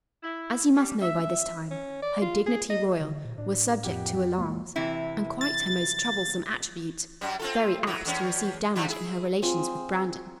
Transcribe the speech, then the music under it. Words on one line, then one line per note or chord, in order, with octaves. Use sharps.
As you must know by this time, her "dignity royal" was subject to alarms, and quite her most troublesome attribute--very apt to receive damage in her relations with Brandon.
E4
G3
E5
C#4
D5
F4
G#4
D#5
D3
A#2
A2 D4
F2 G4 F#5
C#2 A#2
C3 E3 E4
A6
F#2 G3
C4 F4 A4
F#3 E4
E2 C#4
F3 G3 E4
E4 G#4
C4 F4 G#4 G#5